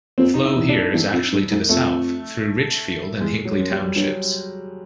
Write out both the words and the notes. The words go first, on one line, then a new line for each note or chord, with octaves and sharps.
Flow here is actually to the south, through Richfield and Hinckley Townships.
F2 C4
D#4
E4
E2
D4
E2
F2
G2
G#2
F2 A3
E2 G#3
F#3
F#2
G3
G2 F#3